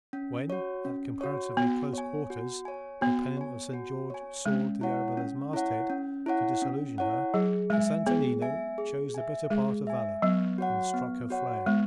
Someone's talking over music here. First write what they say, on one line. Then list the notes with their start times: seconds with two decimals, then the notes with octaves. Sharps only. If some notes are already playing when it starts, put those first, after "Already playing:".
When at comparatively close quarters the pennon of St. George soared to the Arabella's masthead to disillusion her, the Santo Nino chose the better part of valour, and struck her flag.
0.13 C#4
0.50 F#4 C#5
0.85 C#4
1.21 F#4 C#5
1.57 B3 F#4
1.93 C#5 G#5
2.30 F#4
2.65 C#5 G#5
3.01 B3 F#4
3.37 C#5 G#5
3.73 F#4
4.10 C#5 G#5
4.46 G#3 C#4
4.81 E4 C#5 F#5
5.17 C#4
5.53 E4 C#5 F#5
5.90 C#4
6.26 E4 C#5 F#5
6.62 C#4
6.98 E4 C#5 F#5
7.34 F#3 G#4
7.70 G#3 E5 G#5
8.06 B3 G#4
8.42 E5 G#5
8.78 G#4
9.14 E5 G#5
9.50 G#3 G#4
9.87 E5 G#5
10.22 F#3 B3
10.58 F#4 C#5 F#5
10.94 B3
11.30 F#4 C#5 F#5
11.66 G#3 B3